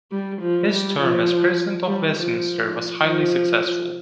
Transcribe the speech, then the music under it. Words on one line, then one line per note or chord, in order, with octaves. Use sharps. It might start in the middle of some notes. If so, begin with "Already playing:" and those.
His term as president of Westminster was highly successful.
G3
F3
G3
F3
G3
F3
F3